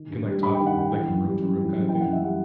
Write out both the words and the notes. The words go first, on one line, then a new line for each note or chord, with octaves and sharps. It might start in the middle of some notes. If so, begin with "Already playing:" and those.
You can, like, talk, like, from room to room kinda thing?
Already playing: D#3
G2
G3
G2 B5
G5
D#3
F#5
G2 G5
F#5
E3 G5
F#2
G3
F#2
E3
F#2
E3 G5
F#2 F#5
E5
G3 F#5